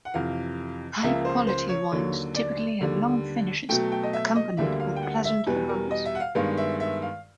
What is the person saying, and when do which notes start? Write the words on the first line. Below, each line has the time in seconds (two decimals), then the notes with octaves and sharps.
High quality wines typically have long finishes accompanied by pleasant aromas.
0.05 F#5
0.14 F2 C3 E3 F5
1.03 C#2 C#3 F3 A#3 E5
1.25 C5
1.47 C5
1.69 C#5
1.91 D#2 D3 F#3
2.36 D5
2.80 D#2 D3 G3
3.69 B2 F#3 A3 G5
3.92 G5
4.03 D#5
4.13 E5
4.36 D#5
4.57 D2 D3 G3 A#3 E5
4.80 F5
4.96 G5
5.03 F#5
5.24 E5
5.46 E2 B2 G3 B4
5.69 A#4
5.91 D#5
6.05 E5
6.15 F#5
6.20 F5
6.35 G2 D#3 G#3 B3 F5
6.57 E5
6.80 E5
7.02 F5